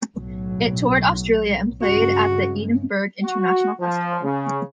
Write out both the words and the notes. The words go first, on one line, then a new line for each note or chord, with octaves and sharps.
It toured Australia and played at the Edinburgh International Festival.
B1 A2 F#3
G2 C#3 G#3 F#4
F#4
F3
C#3